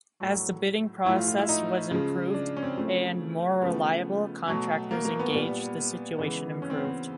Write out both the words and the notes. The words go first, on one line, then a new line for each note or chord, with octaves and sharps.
As the bidding process was improved, and more reliable contractors engaged, the situation improved.
A2 F#3 A3
A2 F3 A3 E4
F4
F4
E4
D#4
C#3 F3 G#3
D4
C#4
C4
C#3 F3 A3
C#3 F3 A3 B3
B2 F#3 A3
A#3
A#3
B3
A#2 G3
C#3 E3 G#3 B3
C#4
C4
B3
C4